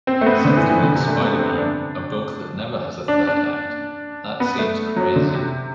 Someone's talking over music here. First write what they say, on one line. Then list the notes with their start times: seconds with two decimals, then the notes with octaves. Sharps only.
Something like Spider-Man, a book that never has a third act, that seems crazy.
0.07 C4
0.21 A3
0.26 B3
0.45 D3
0.57 E3
0.70 E3
0.83 D3
0.95 C3
1.08 A3
1.20 B3
1.39 C4
1.57 D4
3.08 D4
3.27 D4
4.40 B3
4.59 A3
4.96 F#3
5.16 D3
5.35 C3